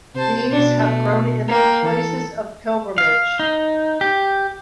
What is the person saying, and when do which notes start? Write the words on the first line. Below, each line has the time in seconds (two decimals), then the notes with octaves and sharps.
These have grown into places of pilgrimage.
0.15 C3 C5 A5
0.51 B2 D4
0.81 A3
1.48 A#3 G5
1.83 E3 A4
2.98 F5
3.39 D#4
4.01 G4